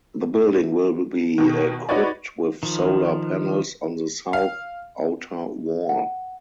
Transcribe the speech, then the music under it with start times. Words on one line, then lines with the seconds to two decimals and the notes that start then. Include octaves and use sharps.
The building will be equipped with solar panels on the south outer wall.
1.38 B2 D#3
1.89 D#4 F#4 B4 C#5 D5
2.63 D#3 F3
4.33 F5
5.89 F#5